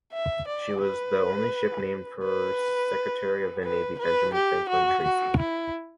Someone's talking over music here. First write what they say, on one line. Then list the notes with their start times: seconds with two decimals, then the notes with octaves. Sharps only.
She was the only ship named for Secretary of the Navy Benjamin Franklin Tracy.
0.13 E5
0.48 D5
0.83 B4
2.23 B4
3.64 B4
3.99 B4
4.34 G4
4.69 F#4
5.04 F#4
5.39 E4